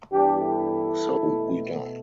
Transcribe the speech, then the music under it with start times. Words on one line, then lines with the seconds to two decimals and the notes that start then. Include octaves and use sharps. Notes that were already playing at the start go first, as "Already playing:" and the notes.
So we die.
0.12 G2 E3 G3 B3 D4 G4
0.41 E4 A4
1.26 B2 A3